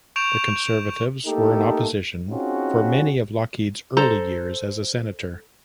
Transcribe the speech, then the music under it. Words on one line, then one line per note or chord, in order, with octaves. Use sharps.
The Conservatives were in opposition for many of Lougheed's early years as a senator.
C#6 G6 D7 E7 F7
A3 A#3 D#4 G4 A4
C4 C#4 D#4 F4 F#4 G#4
A4 C5 A#5